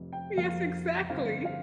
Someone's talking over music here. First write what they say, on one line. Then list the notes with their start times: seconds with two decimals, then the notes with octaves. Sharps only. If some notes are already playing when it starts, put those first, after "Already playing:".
Yes, exactly.
Already playing: F1 F2 C3
0.13 G5
0.37 F1 F2 F3 A#3 F5
1.09 G2 D3 F3 C4 F5
1.45 F5